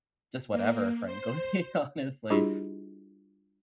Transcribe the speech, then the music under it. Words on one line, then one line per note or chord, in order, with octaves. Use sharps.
just whatever, frankly, honestly.
A#3
C5
G3 D4 E4 F4 G4 G#4